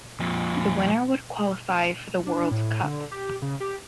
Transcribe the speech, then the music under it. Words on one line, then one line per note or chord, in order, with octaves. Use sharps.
The winner would qualify for the World Cup.
F2 A#2
D4
A2
D3
G4
C#3
G4